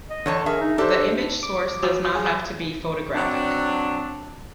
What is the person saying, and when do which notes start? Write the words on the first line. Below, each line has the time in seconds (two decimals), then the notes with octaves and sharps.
The image source does not have to be photographic.
0.10 D#5
0.26 E2 D3 C#5 A5
0.46 G#4 A#4 E5
0.61 D#4
0.78 D4 G4 A4 C5
1.43 D6
1.83 F#3
2.15 G#4
3.14 F#3 C4 D4